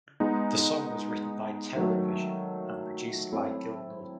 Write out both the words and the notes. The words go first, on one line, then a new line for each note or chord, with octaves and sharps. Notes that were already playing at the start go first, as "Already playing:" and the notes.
The song was written by Terrorvision and produced by Gil Norton.
G#3 B3 D#4
D#3 F#3 A3
A3 C4 E4 A4 C#5